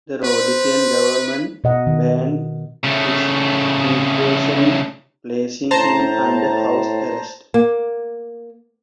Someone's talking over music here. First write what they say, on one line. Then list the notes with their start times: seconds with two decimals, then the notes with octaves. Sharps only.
The Rhodesian government banned his emigration, placing him under house arrest.
0.24 B4 C5
1.64 B2 D#5 F#5
1.87 D#3
2.84 C#3 A3
5.71 A2 C5 A5 A#5
7.54 A#3